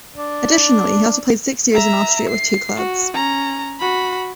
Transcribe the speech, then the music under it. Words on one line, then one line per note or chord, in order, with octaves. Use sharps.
Additionally, he also played six years in Austria with two clubs.
D4
E5 A#5
C7
F#4
C#4 A#5
F#4 B5